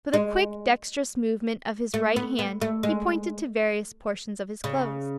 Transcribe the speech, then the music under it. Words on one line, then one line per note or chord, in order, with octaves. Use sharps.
With a quick, dexterous movement of his right hand he pointed to various portions of his clothes.
G#3
A3
B3
B3
A3
G#3
C#3